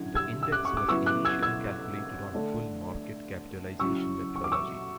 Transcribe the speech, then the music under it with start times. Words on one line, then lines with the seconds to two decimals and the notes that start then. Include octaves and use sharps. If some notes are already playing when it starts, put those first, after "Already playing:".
The index was initially calculated on full market capitalisation methodology.
Already playing: D3 F#3 C#4 E4 G#6
0.15 E6 G#6
0.43 E6
0.52 D6 F#6
0.65 C#6
0.77 D6
0.89 C#3 F#3 B3 E4 C#6 E6
1.06 D6 F#6
1.25 E6 G#6
1.43 E6 G#6
2.35 D3 A3 D4
3.79 C#3 F#3 C#4 E4 C#6 E6
4.36 C#6
4.44 D6
4.52 C#6 E6